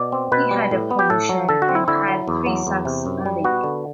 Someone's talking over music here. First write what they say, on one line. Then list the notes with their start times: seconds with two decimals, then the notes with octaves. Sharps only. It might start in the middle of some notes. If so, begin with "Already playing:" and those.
He had a position and had three sacks on the year.
Already playing: B2 D5
0.12 C4
0.32 B2 B4
0.51 G3
0.71 A2
0.91 B3
0.99 G4
1.10 A2 A4
1.29 F#3
1.49 D3 A4
1.62 F#4
1.69 C4
1.75 E4
1.88 D3 E4
2.08 F#3
2.28 E2
2.46 F#3
2.67 E2
2.85 C3
3.06 F#2
3.26 G3
3.44 B3 F#4
3.64 D3